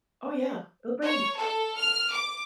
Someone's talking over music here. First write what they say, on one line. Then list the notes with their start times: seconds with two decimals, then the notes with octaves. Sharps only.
Oh, yeah. It'll bring you down.
1.03 C#5
1.36 A4
1.77 F6
2.12 D6